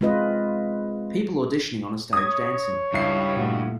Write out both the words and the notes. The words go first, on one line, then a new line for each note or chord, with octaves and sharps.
People auditioning on a stage dancing.
G#3 C4 F4 B4 D#5
C#5 D#6 G#6
C#2 G2 E4 E5 C7
A#2 A3 F#4